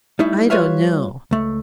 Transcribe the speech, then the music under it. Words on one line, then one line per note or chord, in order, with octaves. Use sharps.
I don't know.
G3 A3 D#4 E4
G3 F4 B4 C#5 E5 F5
C#2 A3